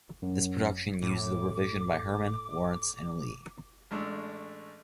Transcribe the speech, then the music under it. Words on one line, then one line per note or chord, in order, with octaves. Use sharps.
This production used the revision by Herman, Lawrence and Lee.
F#2
A2 D6
A1 G#3 A3 D4